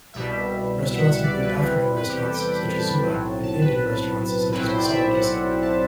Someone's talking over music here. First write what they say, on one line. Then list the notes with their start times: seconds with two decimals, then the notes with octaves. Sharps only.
Restaurants include African restaurants such as Zula, and Indian restaurants such as Masala Dosa.
0.14 C2 B2 G3 E5
0.88 E5
0.95 F#5
1.03 E5
1.24 D5
1.42 B4
1.60 E2 C3 G3 C4
1.97 B4
2.10 G4
2.22 A4
2.34 G5
2.52 B5
2.70 A5
3.07 B1 A2 F#3 C4
3.43 A5
3.62 B4
4.52 B1 A2 F#3 C4 E4 B4
4.65 C5
4.78 D5
4.90 E5
5.14 F#5
5.62 A5